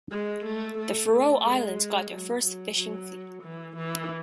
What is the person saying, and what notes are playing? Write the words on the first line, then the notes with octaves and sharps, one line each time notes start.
The Faroe Islands got their first fishing fleet.
G#3
A3
A3
A3
G#3
F#3
F#3
F#3
E3
E3